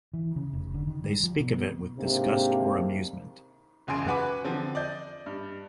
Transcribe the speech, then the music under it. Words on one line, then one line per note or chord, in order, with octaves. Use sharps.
They speak of it with disgust or amusement.
E3
C#3
F1
D3
D#3
G3
F3
B2
B3
G#2 C3 A#3 D4
E1 C#2 F#2 G#5 C6 D7
F#4 B4 F#5 G#5 B5 D6
D3 F3 C4
D5 D#5 G6
G2